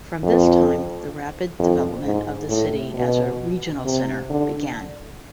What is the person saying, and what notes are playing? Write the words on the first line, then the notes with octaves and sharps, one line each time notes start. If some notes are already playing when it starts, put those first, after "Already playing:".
From this time the rapid development of the city as a regional center began.
F2
F2
G#2
A2
B2
C3
D3